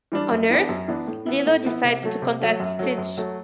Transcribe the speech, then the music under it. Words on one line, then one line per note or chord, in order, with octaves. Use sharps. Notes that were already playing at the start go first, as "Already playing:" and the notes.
On Earth, Lilo decides to contact Stitch.
E3 G3 D4
F#2
E3 B3 D4
F#2
E3 B3 D4
A2
E3 B3 E4
A2
E3 B3 E4
C3
F#3 A3
C3
F#3 A3
F#2
F#3 A3
F#2
F#3 A3